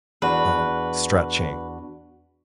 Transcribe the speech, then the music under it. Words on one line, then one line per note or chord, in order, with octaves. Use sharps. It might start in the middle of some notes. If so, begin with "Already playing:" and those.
um, stretching.
E2 D4 F#4 B4